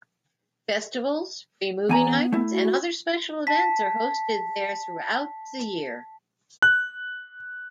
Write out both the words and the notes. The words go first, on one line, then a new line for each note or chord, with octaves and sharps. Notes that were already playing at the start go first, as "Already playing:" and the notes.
Festivals, free movie nights and other special events are hosted there throughout the year.
E2 B3 G#5 A#5
A3 E4
F#4
A5 B6
F#6